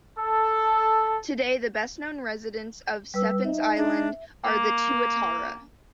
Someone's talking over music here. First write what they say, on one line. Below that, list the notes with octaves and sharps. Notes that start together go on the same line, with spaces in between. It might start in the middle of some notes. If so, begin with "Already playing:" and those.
Today, the best known residents of Stephens Island are the tuatara.
A4
G3 B4 E6
D#4 E5
D4
A#3